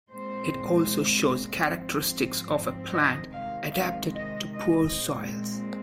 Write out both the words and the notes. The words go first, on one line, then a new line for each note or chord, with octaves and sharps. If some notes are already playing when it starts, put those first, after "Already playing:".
It also shows characteristics of a plant adapted to poor soils.
A#2 G#3 C4 C5
G#2 F3 C4
D#5
C3 D#3 G#3 F5
F5
D#5
D#5
A#2 G#3 C4